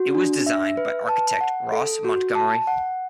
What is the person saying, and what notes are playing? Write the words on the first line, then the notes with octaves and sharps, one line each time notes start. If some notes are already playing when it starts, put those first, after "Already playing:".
It was designed by architect Ross Montgomery.
Already playing: F#4
D4
E5
B4
A5
F#5
A4
F#4
A5
F#5